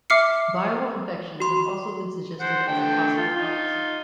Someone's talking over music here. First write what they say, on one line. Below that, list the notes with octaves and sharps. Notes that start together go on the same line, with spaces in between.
Viral infections have also been suggested as a possible cause.
E5 D6 F6 C7 C#7
F#4 C6
C5 F#5
D3 A3 G5
F4
D#4 F4